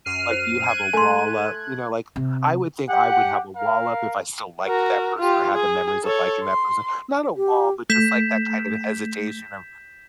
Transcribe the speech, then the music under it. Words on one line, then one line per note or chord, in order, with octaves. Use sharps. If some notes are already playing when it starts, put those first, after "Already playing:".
Like, do you have a wall up? You know, like, I would think I would have a wall up if I still liked that person or had the memories of liking that person, not a wall, but just like that kind of hesitation of
F#2 F6 C7 D#7
C5
F#6 G#6
A3 G#5 C6
C3
G4 F#5
A#4 F5
F#4 A#4
F4 G4
G#4
A4 C#5
C6
G4
A3 G6 B6 E7